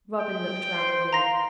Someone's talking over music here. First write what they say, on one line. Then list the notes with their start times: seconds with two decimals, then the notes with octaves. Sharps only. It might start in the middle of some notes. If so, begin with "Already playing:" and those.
Robin looked round the room.
0.20 G5
0.75 C5 C6
1.13 F5 A#5 A#6